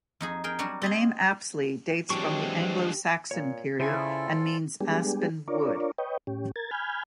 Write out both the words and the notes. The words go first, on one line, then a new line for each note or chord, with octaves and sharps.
The name Apsley dates from the Anglo-Saxon period and means "aspen wood".
F2 D#4 G#4
G#4 A#4 G5
F#3 G3 D4 F#4
C4 G#4 D#5
D#2 E3 F#3 G#3 C4 D4 G4 C#6
A#2 C#5
C#3 E4 F4 A4 C5 D5 G5 G#5
G3 G#3 B3 D4 G4 G#4
D4 F4 A#4 C#5 D5
B4 C#5 D#5 G5
A2 C#4 G4
A#4 G#6 A6
G#5 B5 F6 G6 G#6